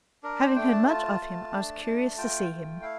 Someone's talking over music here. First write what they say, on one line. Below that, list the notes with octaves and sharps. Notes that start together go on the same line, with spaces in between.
Having heard much of him, I was curious to see him.
D4 A#4
C5
A3 G5
A5
F4 A5
A3
D4
A3
F4 G5
A3
E4 F5